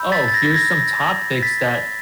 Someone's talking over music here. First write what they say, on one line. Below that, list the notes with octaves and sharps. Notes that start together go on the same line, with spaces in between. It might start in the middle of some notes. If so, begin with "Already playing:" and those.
"Oh, here's some topics that
Already playing: B5 E6 G6
A6 B6
A6
G#6 A#6
G#6 A#6
A6 B6